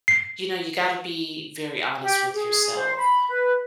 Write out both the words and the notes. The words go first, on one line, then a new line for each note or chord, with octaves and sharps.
you know, you gotta be very honest with yourself.
C7
G4
G#4
C5
B5
B4